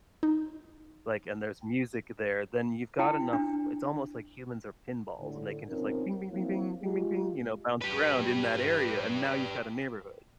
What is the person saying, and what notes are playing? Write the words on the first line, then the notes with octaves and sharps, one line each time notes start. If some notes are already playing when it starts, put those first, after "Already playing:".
like, and there's music there, then you've got enough it's almost like humans are pinballs, and they can just, "Ping ping ping ping, ping ping ping." you know, bounce around in that area, and now you've got a neighborhood, you
D#4
E4 G5
D4
A2 D3
B2 F3 C4 C#4 D#4 A#4
F3 F#3 A#3 C4 E4
G#3 F4 G4
G4 B4